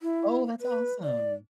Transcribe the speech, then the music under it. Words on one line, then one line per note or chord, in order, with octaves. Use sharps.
Oh, that's awesome!
E4
B4
D5